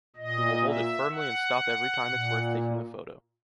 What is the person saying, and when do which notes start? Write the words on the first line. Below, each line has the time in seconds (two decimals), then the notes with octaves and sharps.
We will hold it firmly and stop every time it’s worth taking the photo.
0.16 A#2 D#5
0.64 E5
1.11 F#5
2.06 A#2